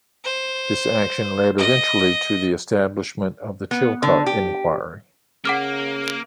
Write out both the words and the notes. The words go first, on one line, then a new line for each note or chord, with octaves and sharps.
This action led eventually to the establishment of the Chilcot Inquiry.
C5
D#5
B3
D3
G4
C#3 A#3 F#5 D6 F6